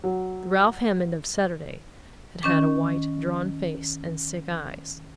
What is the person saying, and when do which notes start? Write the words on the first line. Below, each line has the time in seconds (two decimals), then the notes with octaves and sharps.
The Ralph Hammond of Saturday had had a white, drawn face and sick eyes.
0.04 F#3
2.43 D#3 C#4 D6